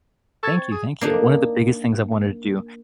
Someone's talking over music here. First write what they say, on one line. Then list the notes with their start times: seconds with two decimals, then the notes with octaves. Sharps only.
Thank you, thank you. One of the biggest things I've wanted to do
0.43 A4 C#6 G#6 A6
0.57 C4
0.71 G#4
1.01 A#3 D4 D#4